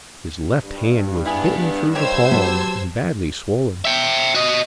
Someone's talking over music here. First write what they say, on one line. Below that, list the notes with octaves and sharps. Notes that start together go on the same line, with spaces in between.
His left hand was bitten through the palm, and badly swollen.
G2
B3 D4 E4 G#4
D#3 G4 C5 C#5 E6 G#6
F#3 B3 G4 A5
E5 G5
F#4 D#5